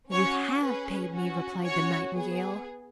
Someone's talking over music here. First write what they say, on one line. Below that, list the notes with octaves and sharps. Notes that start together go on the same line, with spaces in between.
"You have paid me!" replied the Nightingale.
C#4 F#4 C#5
C#4 G#4 B4
C#4 F#4
C#4 F#4 C#5
B3 G#4